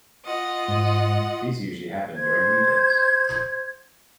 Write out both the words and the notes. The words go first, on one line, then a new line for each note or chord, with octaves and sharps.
These usually happen during weekends.
F4 D#5 F#5
G#2
C5 G#6